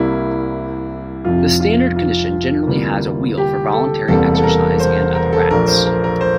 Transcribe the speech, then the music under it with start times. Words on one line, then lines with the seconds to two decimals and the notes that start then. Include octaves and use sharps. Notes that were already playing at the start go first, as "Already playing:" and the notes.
The standard condition generally has a wheel for voluntary exercise and other rats.
Already playing: C2 C3 G3 A#3 E4
1.25 F1 F2 C3 F4
1.60 F4
1.96 F4
2.66 D2 C3 E3 G3 A#3
3.38 G4
3.73 A4
4.08 E1 E2 C3 G3 A#3 A4
4.35 A4
4.43 A#4
4.80 C5
5.15 A#4
5.32 A4
5.51 A#1 A#2 A3 A#4
5.68 C5
5.86 A#4
6.04 A#4
6.21 C5